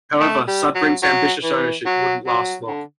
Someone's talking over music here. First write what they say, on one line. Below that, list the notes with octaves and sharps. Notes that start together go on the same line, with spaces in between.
However, Sudbrink's ambitious ownership wouldn't last long.
A3
G3
F#3
F#3
E3
F#3
F#3
D3